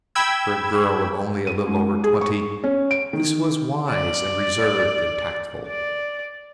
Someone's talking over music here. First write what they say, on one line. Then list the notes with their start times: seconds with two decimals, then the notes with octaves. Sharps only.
For a girl of only a little over twenty this was wise and reserved and tactful.
0.15 G5 B5 E6 G#6
1.47 D#7
1.66 G#2
2.04 G#4
2.21 C#6
2.64 C#4
2.91 D7
3.13 D#3
3.90 D5
5.67 D5